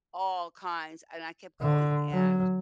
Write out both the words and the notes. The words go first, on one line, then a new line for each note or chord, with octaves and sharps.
all kinds and I kept going and
D3
F#3